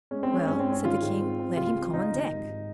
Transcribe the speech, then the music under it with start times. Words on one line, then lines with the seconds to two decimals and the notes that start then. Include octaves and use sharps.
"Well," said the King, "let him come on deck."
0.11 G#3 C#4
0.23 C4
0.29 G#3
0.35 C#4
0.47 G#2 C#4
0.60 C4
0.66 G#2
0.72 C#4
0.84 D#3 F4
1.02 G#2
1.21 C4
1.40 C4
1.57 C#2 F4
1.76 C4
1.93 C#3 D#4
2.12 D#2
2.30 G#1
2.48 G#2